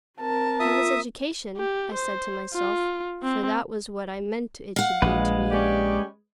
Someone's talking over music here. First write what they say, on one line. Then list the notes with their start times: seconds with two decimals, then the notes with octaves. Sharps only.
"Time is education," I said to myself; for that was what I meant it should be to me.
0.20 C4 A#4 A5
0.60 F4 E5 D#6
1.57 G4
1.94 C5
2.54 F4
3.23 C4
4.76 F5 F#5
5.02 A#1 G#3 B4
5.51 C#4 G4 D5